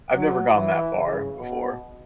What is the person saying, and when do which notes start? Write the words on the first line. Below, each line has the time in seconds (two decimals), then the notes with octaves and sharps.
I've never gone that far before.
0.12 F#3
0.55 E3
0.96 C#3
1.38 B2